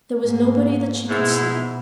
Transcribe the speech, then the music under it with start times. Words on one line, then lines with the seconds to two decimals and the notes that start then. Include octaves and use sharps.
There was nobody that she could see.
0.19 G#2 A#3
1.08 G#2 B2 B3 E4